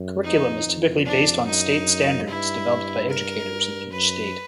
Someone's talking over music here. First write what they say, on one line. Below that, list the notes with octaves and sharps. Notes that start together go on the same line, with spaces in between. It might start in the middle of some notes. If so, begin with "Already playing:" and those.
Curriculum is typically based on state standards developed by educators in each state.
Already playing: F#2
F2 D#4
F2
D4
F#2 D#4
G2 E4
A#4
F#2 B4